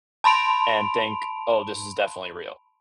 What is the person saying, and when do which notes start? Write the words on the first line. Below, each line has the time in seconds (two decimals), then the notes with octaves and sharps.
and think, "Oh, this is definitely real."
0.24 A5 B5 C6 D7 F7